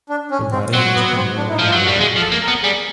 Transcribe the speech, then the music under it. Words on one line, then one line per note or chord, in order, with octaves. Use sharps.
The riding was primarily rural.
D4
C#4
C4
F#3 C4
B3
B3
C4
D4
E4
D#4
F3
F4
F#3
F#4
G3
G#3 G#4
F3
A4
A#3
A#4
B3
G3 G#4